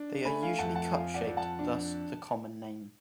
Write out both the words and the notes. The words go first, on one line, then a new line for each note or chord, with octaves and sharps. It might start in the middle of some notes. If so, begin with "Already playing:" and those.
They are usually cup-shaped, thus the common name.
Already playing: D4
A3 G#5 B5
F5 G#5
F2 F#5 A5
F#5 A5
F3 F5 G#5
D5 F#5
F2
F#5 A5
D4